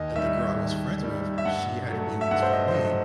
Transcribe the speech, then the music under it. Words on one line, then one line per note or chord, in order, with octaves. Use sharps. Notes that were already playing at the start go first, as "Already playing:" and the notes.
that the girl I was friends with, she had feelings for me,
Already playing: D#2 D#5
D#3 G3 E5
D#2
D#3 G3
E5
G2 F#5
F#3 A3
E5
G2 F#5
C5
D#5
C5
F#3 A3 D#5